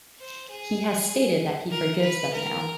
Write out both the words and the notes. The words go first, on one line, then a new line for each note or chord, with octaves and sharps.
He has stated that he forgives them now.
C5
G#4
A#4
B4
A#4